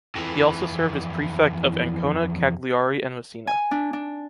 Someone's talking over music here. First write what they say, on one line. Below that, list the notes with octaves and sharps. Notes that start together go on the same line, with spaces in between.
He also served as prefect of Ancona, Cagliari, and Messina.
F2 E3
G#5
D4
D4